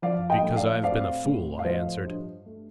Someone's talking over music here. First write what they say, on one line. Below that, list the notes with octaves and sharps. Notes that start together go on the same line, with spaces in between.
"Because I have been a fool," I answered.
F3 D5 F5
D#5 G5
A2
D5 F5
C4 D5 F5
A2
F5
F3 C5 D#5
G2
A3